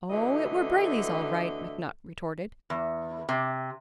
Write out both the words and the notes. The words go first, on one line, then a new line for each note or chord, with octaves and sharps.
"Oh, it were Brayley's, all right," McNutt retorted.
D2 D3 E3 A3 D#5
E2
C3